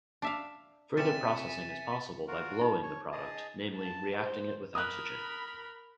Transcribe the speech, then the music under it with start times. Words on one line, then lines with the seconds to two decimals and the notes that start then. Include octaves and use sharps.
Further processing is possible by "blowing" the product: namely reacting it with oxygen.
0.22 D4 E5 F5
0.97 C3 G3 E5 G#5 A6 C#7 E7
2.28 F4 F#4 A#4
2.61 D#4
2.83 C#5
3.12 G#4 D#5 A5
3.75 A5
4.18 C5
4.75 A#4 B5 D#6 F#6